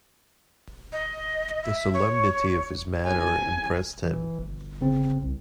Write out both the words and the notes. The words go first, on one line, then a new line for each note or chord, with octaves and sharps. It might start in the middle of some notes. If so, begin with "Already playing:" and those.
The solemnity of his manner impressed him.
D#5
E5
C#5
G#5
E3
G1
C#3 C4
C2